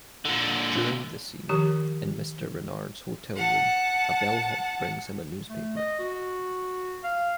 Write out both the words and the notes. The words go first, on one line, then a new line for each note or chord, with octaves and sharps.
During the scene in Mr. Renard's hotel room, a bellhop brings him a newspaper.
A#2 D3
D#3 F3 G4 A#4
F#5 A5
A3
D#5
F#4
F5